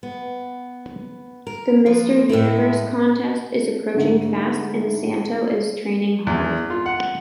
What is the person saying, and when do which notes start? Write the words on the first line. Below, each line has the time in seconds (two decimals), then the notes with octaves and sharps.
The Mr. Universe contest is approaching fast and Santo is training hard.
0.03 B3
1.47 A#4
1.86 F3 B4
2.29 A2 G#3 A3 E4
3.95 G#2 D3 A3
6.27 E2
6.70 F4
6.86 F#5